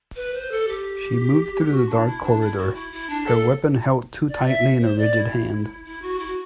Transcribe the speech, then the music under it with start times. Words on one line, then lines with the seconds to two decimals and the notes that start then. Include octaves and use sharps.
She moved through the dark corridor, her weapon held too tightly in a rigid hand.
0.15 B4
0.33 C5
0.51 A4
0.67 G4
1.71 F#4
1.89 D4
2.06 E4
2.22 D4
2.40 E4
2.57 F#4
2.74 E4
2.92 E4
3.09 D4
3.26 A4
4.28 D5
4.46 E5
4.81 C5
4.98 D5
5.15 E4
5.84 E4
6.02 F#4
6.18 E4
6.27 F#4